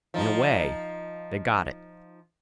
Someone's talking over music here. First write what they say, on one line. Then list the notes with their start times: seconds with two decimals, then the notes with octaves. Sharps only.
In a way, they got it.
0.14 F3 D#4